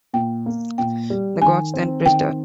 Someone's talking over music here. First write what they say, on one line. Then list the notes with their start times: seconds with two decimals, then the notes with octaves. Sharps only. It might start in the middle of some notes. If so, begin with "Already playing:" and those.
The gods then praised her.
0.13 A#2 G5
0.46 A#3
0.78 A#2 G5
1.10 G3
1.42 D#3 G#5
1.74 C4
2.06 D#3 G5